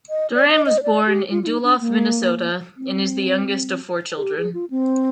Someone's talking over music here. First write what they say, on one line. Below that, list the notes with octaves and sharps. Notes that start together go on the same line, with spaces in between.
Doran was born in Duluth, Minnesota and is the youngest of four children.
D#5
D5
D#5
D#5
C5
D5
G4
F4
F4
D#4
D4
A#3
C4
G#4
G4
G#4
F4
C4